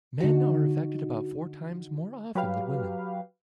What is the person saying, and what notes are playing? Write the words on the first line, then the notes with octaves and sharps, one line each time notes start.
Men are affected about four times more often than women.
D3 D#4 F#4
F#3 G4 B4 F5